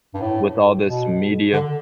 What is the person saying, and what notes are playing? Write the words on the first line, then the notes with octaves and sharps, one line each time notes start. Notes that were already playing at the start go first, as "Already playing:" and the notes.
with all this media.
G2
A2
B2
D3